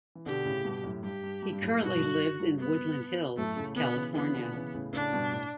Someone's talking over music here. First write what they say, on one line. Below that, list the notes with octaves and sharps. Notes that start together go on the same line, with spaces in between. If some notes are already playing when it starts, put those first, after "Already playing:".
He currently lives in Woodland Hills, California.
E3
B2 D3 G4
A2 C#3
G2 B2
F#2 A2
G2 G4
G2
G2
G2
F#2 A2
G2 B2 F#4
F#2
G2
G2
B3
F#2 A2 A3
A2 C#3
B2 D3 B3
C#3 E3
C#3 E3 B3
B2 D3
C#3 E3
A2 C#3
A2 C#3 D4
G2 B2
A2